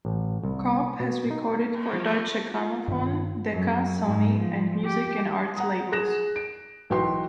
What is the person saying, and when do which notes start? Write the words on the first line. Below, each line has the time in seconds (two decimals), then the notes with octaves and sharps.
Cobb has recorded for Deutsche Grammophon, Decca, Sony, and Music and Arts labels.
0.05 A1
0.43 C2
1.00 B2
1.31 D#4
1.54 A#3
1.93 F3
2.49 F4
2.88 G2 D#3
3.52 F#2
4.03 G#2
4.39 F3
4.84 G4
5.57 F#5 A#5 D#6
5.92 G#4 F#6 A#6 E7
6.36 D7
6.90 B1 E3 F#4 B4 G5 C6